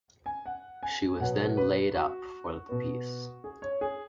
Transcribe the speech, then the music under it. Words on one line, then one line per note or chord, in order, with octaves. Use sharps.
She was then laid up for the peace.
G#5
F#5
G#5
B2 F#3 B3 F#5
B4
F#4
B2 B3
G#4
C#5
G#4